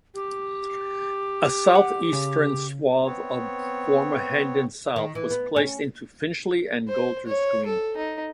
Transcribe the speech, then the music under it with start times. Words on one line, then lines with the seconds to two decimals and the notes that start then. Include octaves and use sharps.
A south-eastern swathe of former Hendon South was placed into Finchley and Golders Green.
0.14 G4
1.75 F#5
2.13 C#3
3.06 B3 C4 C#5
4.96 D#3
5.15 E3
5.30 B3
5.56 C#4
6.88 C5
7.27 C#5
7.66 A4
7.97 D#4